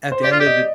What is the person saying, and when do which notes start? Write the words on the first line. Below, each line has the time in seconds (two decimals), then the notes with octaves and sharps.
at the end of the
0.12 C5
0.23 G4 D5
0.32 F4
0.40 G4
0.46 D#5